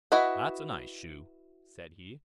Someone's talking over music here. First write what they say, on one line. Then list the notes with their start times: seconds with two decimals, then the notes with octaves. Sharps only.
'That's a nice shoe', said he.
0.12 E4 F#4 B4 D#5 F#5